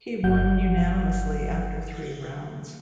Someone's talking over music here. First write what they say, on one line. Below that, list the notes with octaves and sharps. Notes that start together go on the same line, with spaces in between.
He won unanimously after three rounds.
G1 F#3 F#5 G6